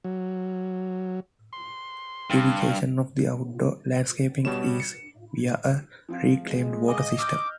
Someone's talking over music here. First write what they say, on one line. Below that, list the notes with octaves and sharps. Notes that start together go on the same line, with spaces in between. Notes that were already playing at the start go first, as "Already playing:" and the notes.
Irrigation of the outdoor landscaping is via a reclaimed water system.
F#3
C6
G2
B2 G3 C#5 E7
C#7
F3 C4 F4
G#3
D#5 F5 G#5 D6
D6 E6 F6 G6